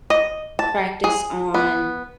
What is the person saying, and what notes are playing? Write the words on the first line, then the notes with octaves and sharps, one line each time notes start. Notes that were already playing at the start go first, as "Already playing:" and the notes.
practice on
D#5
A5
G#4
B3